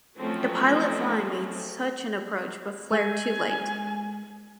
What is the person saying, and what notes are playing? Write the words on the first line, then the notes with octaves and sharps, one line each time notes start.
The pilot flying made such an approach but flared too late.
F3 F#3 A3 C4 C#4
G#3 G#5